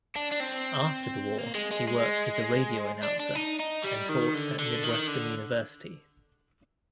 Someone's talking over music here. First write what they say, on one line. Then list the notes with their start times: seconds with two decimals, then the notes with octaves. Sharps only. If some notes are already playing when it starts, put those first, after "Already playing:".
After the war, he worked as a radio announcer and taught at Midwestern University.
0.16 D4
0.32 D4
0.40 C4
1.38 A#3
1.55 G#3
1.71 G#3
1.87 G#3
3.03 D4
3.20 D4
3.36 D#4
3.60 D#4
3.85 G3
4.10 D#3
4.34 D3
4.59 D3
4.84 D#3
5.08 D3